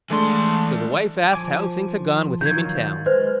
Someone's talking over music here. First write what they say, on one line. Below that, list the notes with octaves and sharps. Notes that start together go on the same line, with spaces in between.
So the wife asked how things had gone with him in town?
E3 G#3 A3 D4 C6
F3 G#5 D6
D#3 F#3 F4 G6 G#6
G#3 B4 C5 F6